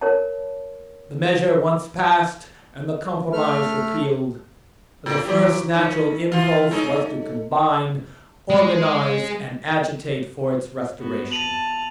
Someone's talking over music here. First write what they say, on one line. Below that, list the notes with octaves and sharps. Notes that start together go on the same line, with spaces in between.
The measure once passed, and the Compromise repealed, the first natural impulse was to combine, organize, and agitate for its restoration.
A#4 C#5 A5
A3 F6
A2
E3 F#3 G4
D#3 C#4
E3 F4
G#3 C#4 D#4
A3
G#3
B3 F#4
A5 D#7 F7 F#7